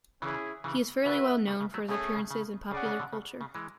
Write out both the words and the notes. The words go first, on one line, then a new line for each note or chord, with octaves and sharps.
He is fairly well known for his appearances in popular culture.
C#3 E3 C#4 E4 G#4
C#3 E3
C#3 F#4 B4 E5
C#3
C#3
F#3 A3
B2 A3 C#4 G#4
C#3
C#3
C#3 C#4 G#4 D5 F#5
C#3
B2 D3
C#3
C#3
E3 G#3